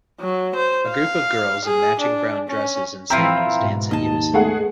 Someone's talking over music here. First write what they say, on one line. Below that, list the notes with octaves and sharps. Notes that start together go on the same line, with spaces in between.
A group of girls in matching brown dresses and sandals dance in unison.
F#3
C5
F5
G#4
D4
C#4
A#2 E3 F3 C4 E4 F4 A#5
G#2 B2
D#2 D#5 A5
G#3 A3 B3 G#4 F#5